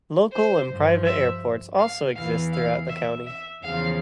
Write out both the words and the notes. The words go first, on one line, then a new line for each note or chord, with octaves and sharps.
Local and private airports also exist throughout the county.
C5
G2
F3
E5
F5
E2 E3 F5
F5
E5
E5
E2 C#3 F3 F5